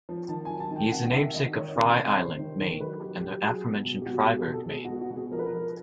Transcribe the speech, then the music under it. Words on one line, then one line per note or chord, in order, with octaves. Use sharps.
He is the namesake of Frye Island, Maine, and the aforementioned Fryeburg, Maine.
F3
D#3 A5
G#5
F#3
A5
D#3
G5
C3 F#5
D#3 E5
D#3 D#5
D#3 C#5
C3 A#4
C3
C3 C5
D#3
D#3
F#3 B4
F#3 G4
F#3 G4
F#3 G#4
B2
B2
G4
B2 F#4
G4
B2
G#4
B2
A4
B2 G#4
F#4
B2
F#4
B2
G#4
F3 A#4
B4
A#4
F3